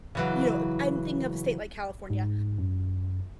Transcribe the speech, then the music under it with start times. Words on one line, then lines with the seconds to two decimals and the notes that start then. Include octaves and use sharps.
you know, I'm thinking of a state like California,
0.15 C#3 E3 F#3
2.10 G#2
2.58 F#2